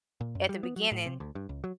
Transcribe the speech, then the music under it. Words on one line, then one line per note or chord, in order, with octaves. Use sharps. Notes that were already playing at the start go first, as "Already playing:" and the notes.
at the beginning
A#2
F#2
G3
B3
F#3
A2
C3
D2
G2
C#2
F#3